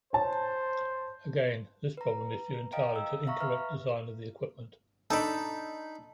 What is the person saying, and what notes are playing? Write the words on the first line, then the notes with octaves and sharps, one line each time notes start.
Again, this problem is due entirely to incorrect design of the equipment.
C5 C#5 A5
B4 A#5
D#5 F5 G5 A#5 D7
E6
E5 F5 A#5 C#6
B4 E5 F6
D4 D#4 A4 B5